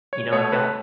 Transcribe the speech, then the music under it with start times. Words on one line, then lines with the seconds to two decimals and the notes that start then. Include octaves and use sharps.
you know, I've got
0.13 C#5
0.33 A3 C#5
0.52 B4